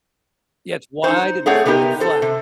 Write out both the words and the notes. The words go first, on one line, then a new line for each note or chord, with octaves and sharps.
Yeah, it's wide and fl and flat.
D#4 C5
A3 C4 G#4 C#5 D5 F#5
C3 B3 D#4 G4 A#4
A4 C5
C3